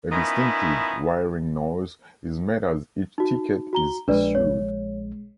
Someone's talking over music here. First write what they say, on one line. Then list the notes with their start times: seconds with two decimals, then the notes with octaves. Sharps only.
A distinctive whirring noise is made as each ticket is issued.
0.10 D#3 F3 B3 C#4 E4
3.18 D#4 F#4
3.73 F#4 A#5 G7
4.08 A#1 G#3 D4 B4 D5
4.35 C#5